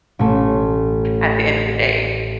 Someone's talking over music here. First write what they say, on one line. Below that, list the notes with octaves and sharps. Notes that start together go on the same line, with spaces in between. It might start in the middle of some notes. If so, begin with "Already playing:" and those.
at the end of the day.
A1 A3